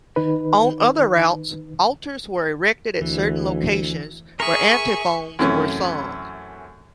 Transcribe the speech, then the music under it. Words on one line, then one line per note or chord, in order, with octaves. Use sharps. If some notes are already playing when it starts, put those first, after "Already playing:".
On other routes, altars were erected at certain locations where antiphons were sung.
D#3 D#4 B4
D2 E3
G#4 A#4 E5 C#6
F#2 C3 E3 A3 C#4